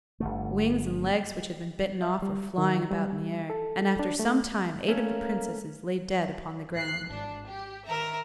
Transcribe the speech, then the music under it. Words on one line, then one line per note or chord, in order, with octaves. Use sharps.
Wings and legs which had been bitten off were flying about in the air, and after some time eight of the Princesses lay dead upon the ground.
G1 D3 A3
E5
G3
D#3
G3
A4
D4
A3
A3 A#3 C#4
F#6 C7
G#1 D4
G4
D#3 A#4 E5 A#5